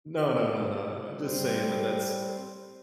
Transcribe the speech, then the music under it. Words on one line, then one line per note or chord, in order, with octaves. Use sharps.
No, no, no, no, no, just saying that that's
G3 C4